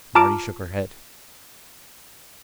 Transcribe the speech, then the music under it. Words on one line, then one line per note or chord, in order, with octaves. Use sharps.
Marty shook her head.
F4 A5 A#5 D6 F6 D7